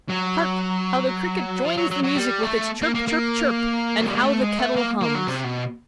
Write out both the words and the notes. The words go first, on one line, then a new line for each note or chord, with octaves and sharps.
Hark! how the Cricket joins the music with its Chirp, Chirp, Chirp; and how the kettle hums!
F#3
F3
F#3
F#3
F#3
G3
A3
A#3
A#3
A#3
F#3
G3
G#3
A3
G#3
A3
A#3
A#3
F#3
C3
B2